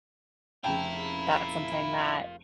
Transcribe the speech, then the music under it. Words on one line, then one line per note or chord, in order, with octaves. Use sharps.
That's something that,
F1 C#3 E4 F4 A#4 G5 A5